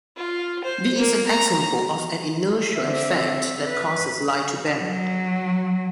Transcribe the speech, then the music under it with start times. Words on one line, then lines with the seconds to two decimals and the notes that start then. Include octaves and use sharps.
This is an example of an inertial effect that causes light to bend.
0.17 F4
0.64 C5
0.99 A#3
1.27 A#5
2.76 D3 C4 E5
3.66 B4
4.78 F#3